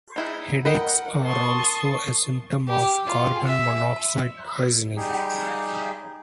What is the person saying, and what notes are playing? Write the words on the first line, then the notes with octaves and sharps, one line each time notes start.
Headaches are also a symptom of carbon monoxide poisoning.
D#4 E4 G#4
A#4 B4 D#5 F#5 G5
A5 C6 C#6 D#6
G4
F4
E5
G3 D#4 G4 G#4